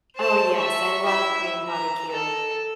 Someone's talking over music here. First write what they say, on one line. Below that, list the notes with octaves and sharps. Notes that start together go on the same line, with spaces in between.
Oh, yes, I love Korean barbecue.
C5 A5
E5 C#6
E4 E5
A#5
A4